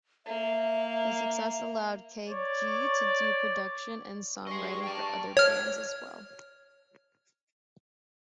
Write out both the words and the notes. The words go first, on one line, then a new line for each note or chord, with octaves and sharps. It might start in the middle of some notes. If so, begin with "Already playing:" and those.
The success allowed K-Gee to do production and songwriting for other bands as well.
A#3 E5
C#5 D5
G2 D#5 G#5 C6 C#6
A#4 D5 G5 A5
C#5 F6